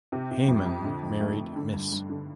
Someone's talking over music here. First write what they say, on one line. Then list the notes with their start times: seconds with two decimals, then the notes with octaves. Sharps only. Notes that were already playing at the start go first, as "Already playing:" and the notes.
Heymann married Miss.
0.12 C3
0.31 C3
0.48 F2
0.66 F2
0.85 D3
1.03 F2
1.20 A3
1.38 F2
1.56 D3
1.73 G2
1.92 G2
2.10 D3